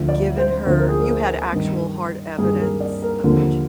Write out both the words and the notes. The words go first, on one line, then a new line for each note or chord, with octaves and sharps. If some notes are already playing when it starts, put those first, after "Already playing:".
given her you had actual hard evidence of him ch
Already playing: D2 D3 F3
D5
C5
D2 D3 F3 C5
A#4
G#4
A#4
G2 D#3
G2 D#3 G#4
A#4
D5
A#4
D#2 D3 F3